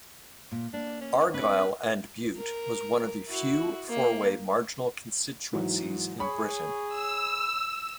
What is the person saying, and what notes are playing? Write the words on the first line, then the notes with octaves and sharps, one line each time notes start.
Argyll and Bute was one of the few four-way marginal constituencies in Britain.
A#2
A#3 D4
C#4
C4 D4 B4
A#4
E4 F#4
A#3
G#2 E3 F#3
G#4 C#5 B5 C#6
E6